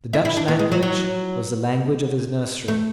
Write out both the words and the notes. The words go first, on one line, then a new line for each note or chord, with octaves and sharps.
The Dutch language was the language of his nursery.
E4
E4
D4
B3
G#3
F#3
F#3
A3